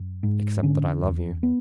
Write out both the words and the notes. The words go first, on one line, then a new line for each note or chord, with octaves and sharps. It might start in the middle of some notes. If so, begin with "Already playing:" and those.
"Except that I love you."
Already playing: F#2
G#2
D3 C#4
E2
B3